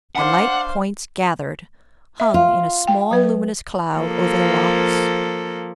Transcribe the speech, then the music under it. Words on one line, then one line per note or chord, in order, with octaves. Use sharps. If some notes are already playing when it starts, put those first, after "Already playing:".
The light points gathered, hung in a small luminous cloud over the rocks.
D4 C5 F5 F#5
E5
F4
G5
F#3 B4
F3 A#3 A4